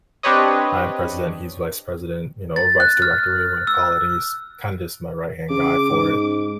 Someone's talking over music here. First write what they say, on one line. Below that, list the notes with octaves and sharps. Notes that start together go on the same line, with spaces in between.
I'm President, he's Vice President, you kno or, Vice Director- whatever you wanna call it- and he's kinda, just my right-hand guy for it.
C4 D4 G4 B4 C#5 D#5
A6
F#6
F6
E6
C#3 D6
G#2